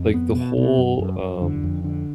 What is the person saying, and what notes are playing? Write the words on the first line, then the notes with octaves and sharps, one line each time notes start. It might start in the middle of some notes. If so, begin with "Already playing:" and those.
like, the whole, um
Already playing: F2
B3
B2
B2
F#2
F#2
F#2
D3
F2
D3